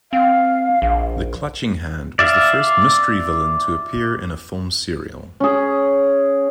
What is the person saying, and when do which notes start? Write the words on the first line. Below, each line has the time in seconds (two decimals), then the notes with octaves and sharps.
The Clutching Hand was the first mystery villain to appear in a film serial.
0.13 C4 F5
0.82 A#1
2.19 D5 E5 F5
5.40 C#4 G#4